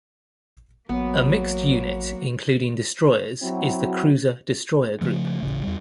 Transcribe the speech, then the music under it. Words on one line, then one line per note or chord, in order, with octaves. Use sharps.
A mixed unit including destroyers is the cruiser-destroyer group.
A1 F#3 A#3 B3 F#4
F#3 C4 E4 F#4
C#3 F3 A3
D#1 A1 C#3
E2 G3